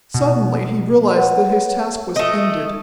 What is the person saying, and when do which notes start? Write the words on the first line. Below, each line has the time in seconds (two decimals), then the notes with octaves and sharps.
Suddenly he realized that his task was ended.
0.14 B2
1.17 B4 C#5 F#5
2.16 A3 D#5